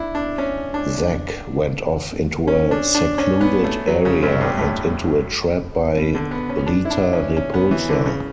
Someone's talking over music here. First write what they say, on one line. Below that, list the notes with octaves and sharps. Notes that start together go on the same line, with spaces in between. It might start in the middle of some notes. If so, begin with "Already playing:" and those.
Zack went off into a secluded area, and into a trap by Rita Repulsa.
Already playing: D4 E4
D4
C#4
D4
C#4
D4
D4
C#4
B3
A3
F#3
C#3
F#2
G2
A2
B2
D3
B3
C#4
D4
E4
D4
C#4
C#4
B3
E3
D3
C#3